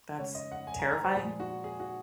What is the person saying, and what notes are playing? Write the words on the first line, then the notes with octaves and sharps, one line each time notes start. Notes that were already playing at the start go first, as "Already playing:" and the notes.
That's terrifying
C#3 G#3 C#5
D#5
F#5
G#5
A#5
A#5
C5
A#2 F3 G#3 G#4
F#4
G#4
F#4